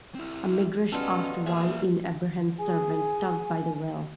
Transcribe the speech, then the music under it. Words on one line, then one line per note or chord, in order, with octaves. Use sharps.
A Midrash asked why, in Abraham's servant stopped by the well.
C4 E4
B2 G3 B3 C#4 D#4 F4 A4
A#3 G#4 E5
G#4 G#5